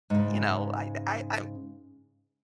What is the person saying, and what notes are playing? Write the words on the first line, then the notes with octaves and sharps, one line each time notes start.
you know, I I I'm
G#2 C#3